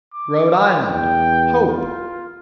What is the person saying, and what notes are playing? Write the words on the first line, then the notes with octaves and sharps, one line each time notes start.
Rhode Island--Hope.
D6
E2 G5
F4